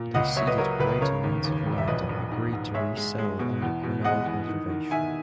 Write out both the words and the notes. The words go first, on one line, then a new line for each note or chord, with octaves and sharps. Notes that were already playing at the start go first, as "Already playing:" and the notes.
They ceded great amounts of land and agreed to resettle on the Quinault reservation.
Already playing: A#2
C#2 D#5 F#5
F#3 C#5 E5
B4 D#5
F#3 A#4 C#5
C#2 B4
C#3 A#4 C#5
D#2
D#2
E1
E5
A#1 B4 D#5
A#1
G#2
G#2
G#3 C#5 E5
G#3
G#3
B2
E2
B2
G#3 D#5 F#5
E2
D#3
D#3
D#3 E5 G#5